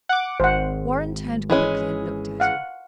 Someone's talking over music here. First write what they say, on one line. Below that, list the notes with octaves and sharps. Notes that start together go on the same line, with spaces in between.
Warren turned quickly and looked at her.
F#5 D6
G#1 C5 F#5
E3 G#3 C#4 E4
F5 F#5